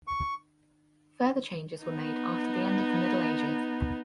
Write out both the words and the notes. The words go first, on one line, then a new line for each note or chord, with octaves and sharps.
Further changes was made after the end of the Middle Ages.
C#6
B3 D#4